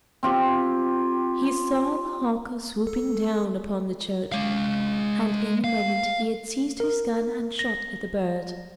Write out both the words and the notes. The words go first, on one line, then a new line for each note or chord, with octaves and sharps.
He saw the hawk swooping down upon the church, and in a moment he had seized his gun and shot at the bird.
C4 F4 G4
A4
G#3 F5
F5
A#4
A#6